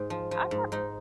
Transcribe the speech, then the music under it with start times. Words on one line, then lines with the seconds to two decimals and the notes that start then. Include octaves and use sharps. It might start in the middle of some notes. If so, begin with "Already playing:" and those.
I thought
Already playing: G#2
0.10 F3
0.31 F3
0.51 G#2
0.72 G#2 D#4